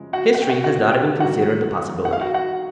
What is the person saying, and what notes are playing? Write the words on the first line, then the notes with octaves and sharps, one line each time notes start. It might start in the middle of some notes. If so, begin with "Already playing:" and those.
History has not even considered the possibility.
Already playing: F#2 C#3 F3 G#3
F#4 F#5
F#5
G5
F#4 F#5
F#4 F#5
G4 G5
G#2 D#3 G3 F#4 F#5
F#5
F5
F#4 F#5
F#4 F#5